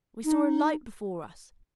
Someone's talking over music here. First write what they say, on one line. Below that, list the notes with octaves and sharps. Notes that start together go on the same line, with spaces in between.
We saw a light before us.
D#4